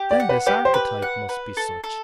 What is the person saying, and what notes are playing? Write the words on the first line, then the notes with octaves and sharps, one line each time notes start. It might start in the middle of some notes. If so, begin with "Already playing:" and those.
'Then this archetype must be such.'
Already playing: G4
D5
F#5
B4
G4 B4
C5
B4
F#5
B4
A4
A4